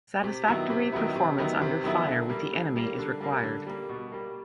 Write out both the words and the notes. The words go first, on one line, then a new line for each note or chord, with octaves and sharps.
Satisfactory performance under fire with the enemy is required.
C3
D#3 F#3 B3 E4
C3
D#3 F#3 B3 E4
C3
D#3 F#3 B3 E4
C3
D#3 F#3 B3 E4
D3
G3 A#3
D3
G3 A#3
D3
G3 A#3
D3
G3 A#3
B2
G3 A#3